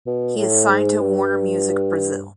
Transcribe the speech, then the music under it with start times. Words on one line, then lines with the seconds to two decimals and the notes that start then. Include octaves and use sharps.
He is signed to Warner Music Brasil.
0.07 B2
0.37 A2
0.70 G#2
1.01 G2